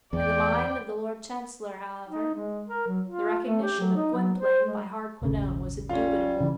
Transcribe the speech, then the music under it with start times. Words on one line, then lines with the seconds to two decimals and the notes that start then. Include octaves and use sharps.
In the mind of the Lord Chancellor, however, the recognition of Gwynplaine by Hardquanonne was indubitable.
0.13 E2 D5 G5
2.08 D#4
2.34 G#3
2.68 A#4
2.87 F#3
3.05 F4
3.45 A3
3.62 G4
3.80 F#3
3.95 D#4
4.14 F#3
4.38 C5
4.66 G#3
5.22 D#1 G#1 C#3
5.89 G3 C#4 F4
6.40 C#3 E3